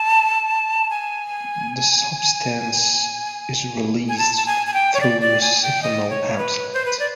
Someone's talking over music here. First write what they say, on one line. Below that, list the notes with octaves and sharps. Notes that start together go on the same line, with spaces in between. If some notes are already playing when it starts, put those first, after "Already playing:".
The substance is released through a syphonal outlet.
Already playing: A5
G#5
G#5
A5
A5
G#5
G#5
G5
C#5
D5
D5
G#5
G5
D#5
C#5
B4
C5
B4
D5